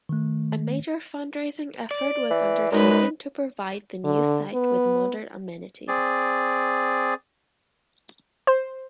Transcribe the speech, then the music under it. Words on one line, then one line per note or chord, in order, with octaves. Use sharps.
A major fund-raising effort was undertaken to provide the new site with modern amenities.
D#3 A3
D5
E3
F#2 G#3 D#4 B4
D3
B3
C4 G#4 D5
C5